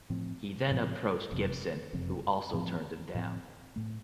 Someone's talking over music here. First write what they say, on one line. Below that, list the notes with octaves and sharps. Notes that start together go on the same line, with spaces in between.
He then approached Gibson, who also turned him down.
A2 F3 C4
A2 F3 C4
F#1 F2 C3
F#1 F2 C3
A2 F3 C4
A2 F3 C4
A2 A3